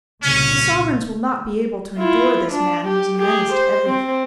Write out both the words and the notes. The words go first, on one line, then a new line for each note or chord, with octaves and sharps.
"The sovereigns will not be able to endure this man who is a menace to everything."
C2 A#2 C#3 C#4
E4 F4
D4
G4
G4 G#4
C5
C4